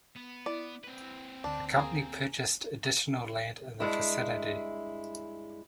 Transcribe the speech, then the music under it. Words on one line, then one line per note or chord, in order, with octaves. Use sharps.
The company purchased additional land in the vicinity.
B3
E4 D5
C4 B4
D2 D3 D4
A#3 G#4
G2 G#3 E4